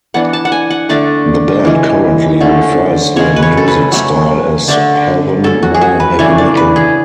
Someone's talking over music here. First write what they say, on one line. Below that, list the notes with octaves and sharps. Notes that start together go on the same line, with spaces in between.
The band currently refers their music style as heathen war heavy metal.
E3 B3 D4 F#5
A5
F#5
G#5
F#5
D3 A3 D4 D5
E3 G#3 C#4
D3 A3 C#4
C#3 G#3 C#4 C#5
B4
C#5
A4
B4
F#3 A3 C#4
D3 A3 D4
F#3 C#4 A4
F#4
G#4
F#4
B4
C#3 E3 A3 D4 C#5
D5
B4
G#4